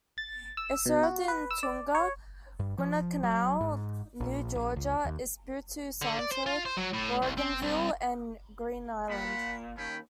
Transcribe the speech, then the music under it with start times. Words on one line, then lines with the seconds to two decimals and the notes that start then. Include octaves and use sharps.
It served in Tonga, Guadalcanal, New Georgia, Espiritu Santo, Bougainville and Green Island.
0.18 A6
0.57 E6
0.86 B2
1.03 F#4
1.28 B4
1.51 E6
1.63 D5
1.95 C#5
2.59 G2
2.78 F3
3.23 F#3
3.61 G#2
4.20 A#1
4.55 A#1
4.76 C#2
5.05 D#2
6.02 D3
6.19 D5
6.32 C5
6.46 F4
6.65 C5
6.77 F#3
6.93 A2
7.22 C2
7.37 C4
7.62 C2
9.10 A#2 F#5 B5
9.77 D#2 C#4 G5 B5